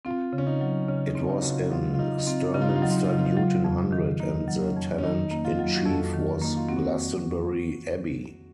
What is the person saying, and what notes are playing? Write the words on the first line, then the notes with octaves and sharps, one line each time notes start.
It was in Sturminster Newton Hundred and the tenant-in-chief was Glastonbury Abbey.
C4 F4
C#3
C#4
D#4
F#3
C#3 C#4
D#4
C4
D#4
C#3 F#4
F4
F#3 F4
F4
C#3 D#4
D#4
C4 F4
C#3 D#4
F4
D#4
F4
F#3 D#4
F4
D#4
F4
C#3 D#4
F4
D#4
F#3 F4
F2
D#3
A#3 D#4
F#3
C#4
F2
C#4
D#3 D#4
A#3
F4
F#3
F#4
F2 A4
D#3
A#3 D#4
F4
C4 F#4